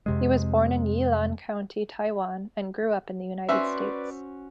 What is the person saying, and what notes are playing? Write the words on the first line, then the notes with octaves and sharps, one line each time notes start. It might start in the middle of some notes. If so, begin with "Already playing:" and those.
He was born in Yilan County, Taiwan, and grew up in the United States.
F2 C3 G#3
C#4 F#4 B4 C5 D5 E5